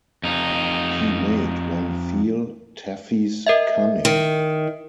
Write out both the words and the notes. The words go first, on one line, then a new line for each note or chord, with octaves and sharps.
He made one feel Taffy’s cunning.
F2 D#4
A#4 D#5 E5
D#3